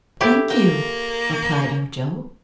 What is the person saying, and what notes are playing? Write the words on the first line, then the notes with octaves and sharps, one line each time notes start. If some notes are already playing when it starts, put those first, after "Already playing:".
"Thank you," replied Ojo.
E4 G4 A4
A#3 G5